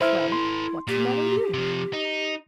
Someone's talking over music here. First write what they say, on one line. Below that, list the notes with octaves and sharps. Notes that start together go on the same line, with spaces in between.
"Well, what's the matter with you?"
E4 A4 B4 C5 E5 F6
C6
A#2 G4
C3 F3
D#4